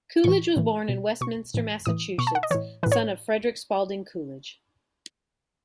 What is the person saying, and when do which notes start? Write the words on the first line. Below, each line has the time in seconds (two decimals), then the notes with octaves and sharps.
Coolidge was born in Westminster, Massachusetts, son of Frederick Spaulding Coolidge.
0.24 A2 E3 C#6
0.56 A2 E3
0.89 B2
1.21 B2 C#6
1.54 A2 E3
1.86 A2 E3 D#6
2.18 B2 C#6
2.27 A5
2.35 F#5
2.43 D#5
2.51 A2 E3 C#5
2.83 A2 E3 B4
2.92 C#5